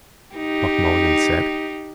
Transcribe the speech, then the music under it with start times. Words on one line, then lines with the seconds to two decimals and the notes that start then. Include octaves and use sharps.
Buck Mulligan said.
0.36 D#4 G4